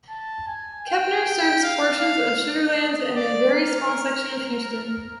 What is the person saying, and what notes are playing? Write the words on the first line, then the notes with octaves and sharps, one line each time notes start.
Kempner serves portions of Sugar Land and a very small section of Houston.
A5
G#5
G5
G5
F5
F5
D#5
D5
A#4